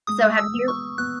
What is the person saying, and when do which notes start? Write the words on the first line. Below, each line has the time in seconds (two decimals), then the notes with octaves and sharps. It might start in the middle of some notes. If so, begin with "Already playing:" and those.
So have you
0.07 G#3 D#6
0.38 E6
0.53 B3
0.68 C#6
0.98 B3 F#6